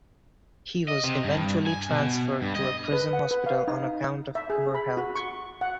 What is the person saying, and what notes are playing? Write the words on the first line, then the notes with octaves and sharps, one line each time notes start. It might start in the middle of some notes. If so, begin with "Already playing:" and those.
He was eventually transferred to a prison hospital on account of poor health.
D#5
C3
G2
G#5
B2
G2
D#5
B4
F#5
B4
F5
D#4
E5
G#4
B5
F#4
C#6
F#5